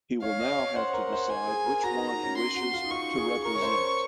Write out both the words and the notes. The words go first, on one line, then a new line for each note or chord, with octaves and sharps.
He will now have to decide which one he wishes to represent.
C#5 F5
D#5
C#5
C5 F#5
A#4
C5
C5 G#5
G#4
A#4
F#4 A#5
D#4
C#4
C6
F#4
F4
D#4
F4 C#6
G#4
A#4 C#6
C#5
C5